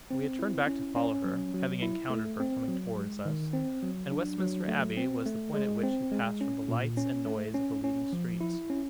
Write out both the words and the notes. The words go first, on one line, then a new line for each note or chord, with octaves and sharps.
We had turned back to follow her, having encountered her coming towards us; and Westminster Abbey was the point at which she passed from the lights and noise of the leading streets.
C4
E4
C#4
C#4
F#3
F#3
E4
A3
C4
F#3
G#3
D#3
C4
F#3
D4
F#3
A3
C4
A3
G#3
C4
G#3
C#4
A#2
C#4
A3
C#4
C#4
F3
E4
C#4